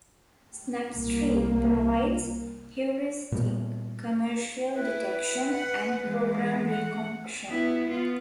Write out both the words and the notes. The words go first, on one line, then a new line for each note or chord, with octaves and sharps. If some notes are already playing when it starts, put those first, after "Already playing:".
Snapstream provides heuristic commercial detection and program recompression.
C2 A#3
A#2 G3 B3
E4 B4
F#5
E3 G#3
F#5
B3 E4
B3 F4